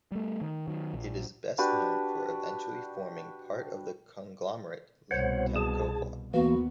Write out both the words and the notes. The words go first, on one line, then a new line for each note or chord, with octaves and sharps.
It is best known for eventually forming part of the conglomerate Ling-Temco-Vought.
G3 A3
D#3
D#3 F#3
A#1
D4 F#4 G4 B4
C2 B2 C5 C#5 F#5
G#4 A5
D#2 E3 A#3 B3 F#4